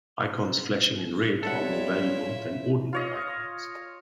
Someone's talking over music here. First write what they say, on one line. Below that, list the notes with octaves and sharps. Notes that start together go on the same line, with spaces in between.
Icons flashing in red are more valuable than ordinary icons.
G3 E4 F4 A4 C#5 E5 F#5
F4 C#5 D#5